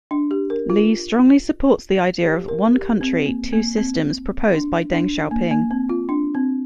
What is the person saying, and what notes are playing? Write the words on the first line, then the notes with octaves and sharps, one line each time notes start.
Li strongly supports the idea of "One country, two systems" proposed by Deng Xiaoping.
D4
G4
A#4
F4
G4
A#4
G4
C4
A#3
A#3
C4
D4
D4
A#3
A#3
C4
F4
D4
C4